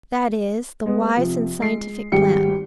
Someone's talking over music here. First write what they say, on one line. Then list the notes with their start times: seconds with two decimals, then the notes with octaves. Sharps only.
That is the wise and scientific plan.
0.86 G#3 B3
1.17 C3 F3
1.59 G#3 C7
2.12 G#1 G3 G4 G#4 G5 C#7